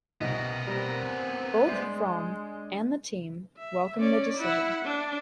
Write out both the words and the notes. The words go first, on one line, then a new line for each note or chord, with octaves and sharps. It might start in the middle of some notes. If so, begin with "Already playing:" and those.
Both Froome and the team welcomed the decision.
C2 B2 B3 D#4 A#4 A#6
G3 A#3 C4
G#5
G#3 D4 C5 D5
E5
C#4 D5
E4 F#5
D4